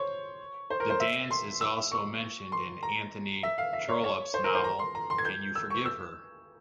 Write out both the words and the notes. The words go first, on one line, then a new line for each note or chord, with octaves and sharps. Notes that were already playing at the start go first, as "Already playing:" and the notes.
The dance is also mentioned in Anthony Trollope's novel Can You Forgive Her?
Already playing: C5 C#5
C5
A#4
C5
E5
C6
E6
C#6
C6
A#5
E5
F5
E5
C#5
C#5
C5
A#4
C5
A#5
C6
A#5
C6
G#6
G6
E6
C#6
E6